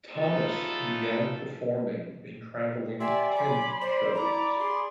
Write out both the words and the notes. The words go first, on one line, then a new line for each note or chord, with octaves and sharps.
Thomas began performing in traveling tent shows.
E3 F#3 B3 D#4 F4 A4
G4 D5 E5 G#5 C6 E6
F#3 B5 C6 D6
C5 D5
E4 A#5 B5 D6
G#4 D5 C6